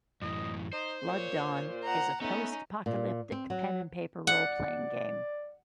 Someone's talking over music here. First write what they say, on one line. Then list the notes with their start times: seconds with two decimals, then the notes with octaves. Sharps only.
Blood Dawn is a post-apocaclyptic pen and paper roleplaying game.
0.22 F#2 A2 E3 D#5
0.73 D#4 C5
1.07 A#2 C#5
1.84 F#5 A#5
2.21 A3 B3 C#4 D#4
2.86 A#2
3.32 C4
3.50 F#3
4.27 D5 F#5